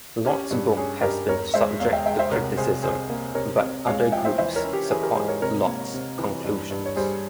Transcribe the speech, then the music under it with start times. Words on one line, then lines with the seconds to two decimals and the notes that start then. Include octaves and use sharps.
Lott's book has been subject to criticism, but other groups support Lott's conclusions.
0.25 C#4 G4
0.51 G2
0.77 C#4 G#4
1.03 G2 G4 A#4
1.28 E2 A#4 C#5
1.54 G#3 C5 E5
1.80 E2 C#5 F5
1.93 E5 G5
2.06 G#3 E5 G5
2.19 C5 E5
2.31 C2 A#4 C#5
2.57 C2 G#4 C5
2.83 C2 G#4 C5
3.10 A#3
3.35 C3 A#4 C#5
3.61 C3
3.86 G#3 C#5 F5
3.99 F5 G#5
4.12 F3 E5 G5
4.25 C5 E5
4.38 E3 C5 E5
4.56 A#4 C#5
4.65 C#4
4.73 G4
4.90 E3 G#4
5.03 G4 A#4
5.15 G#2 G#4 C5
5.28 A#4 C#5
5.42 C3 A#4 C#5
5.67 A#3
5.94 C3
6.19 E3
6.44 G2
6.71 G2
6.86 C#5
6.96 G3 G#4 C5